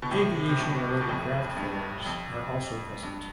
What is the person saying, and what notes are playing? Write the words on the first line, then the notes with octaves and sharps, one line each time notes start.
Aviation-related craft fairs are also present.
B2
A2 C3
C3
G2 B2
B2
F2 A2
G2
F2
G2